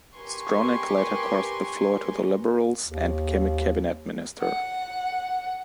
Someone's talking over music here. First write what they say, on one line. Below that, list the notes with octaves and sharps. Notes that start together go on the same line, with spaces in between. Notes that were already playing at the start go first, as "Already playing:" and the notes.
Stronach later crossed the floor to the Liberals and became a cabinet minister.
G4 A#4 B4 G#5 C6 C#6
D#2
F#5